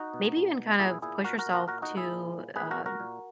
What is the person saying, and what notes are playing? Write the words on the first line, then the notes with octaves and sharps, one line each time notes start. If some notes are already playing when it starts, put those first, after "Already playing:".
maybe even kind of push yourself to, um,
Already playing: D#4 F#4
B2
B2
B2
A#2 E4 G#4
A#2 E4 G#4
A#2 F#4 A#4
F#4 A#4
A#2
F#4 A#4
A#2 F#4 A#4
D#4 F#4
A#2
E4 G#4
A#2
A#2
A#2 G#4 B4
F#4 A#4
A#2
F#4 A#4
A#2